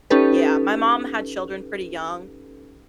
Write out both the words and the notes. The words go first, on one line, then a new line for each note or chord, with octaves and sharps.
Yeah, my mom had children pretty young,
C#4 D#4 G4 A4 B4